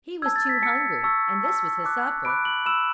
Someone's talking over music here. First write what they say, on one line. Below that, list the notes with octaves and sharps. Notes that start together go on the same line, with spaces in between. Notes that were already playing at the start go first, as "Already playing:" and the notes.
He was too hungry, and this was his supper.
A5 E6 G#6
A6
B6
A5 E6 C#7
A5 C#6 E6
A5 E6
A5 D6 F#6
B5 D6 F#6 D7
F#7
B5 E6 E7